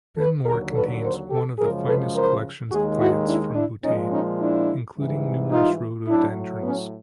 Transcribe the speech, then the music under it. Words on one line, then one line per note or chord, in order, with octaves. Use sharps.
Benmore contains one of the finest collections of plants from Bhutan including numerous rhododendrons.
A4 B4
D#2 D3 F#3 G#4 A#4
A4 B4
A#4 C5
G4 A4
F#2 C#3 F3 G#3 G#4 A#4
A4 B4
A#4 C5
D#2 D#3 G#3 F#4 G#4
E4 F#4
D4 E4
D4 E4
A#2 F3 G#3 C#4 D#4
C#4 D#4
D4 E4
G#2 E3 G3
D#4 F4
A2 F#3 D4 E4
B3 C#4